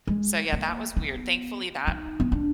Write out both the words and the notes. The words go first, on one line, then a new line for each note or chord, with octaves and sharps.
So, yeah, that was weird. Thankfully, that
G#3
A#3
B3
D#4
B3
D4